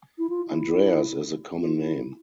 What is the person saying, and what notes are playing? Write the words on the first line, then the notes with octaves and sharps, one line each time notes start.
Andreas is a common name.
E4
F4
E4
F4
E4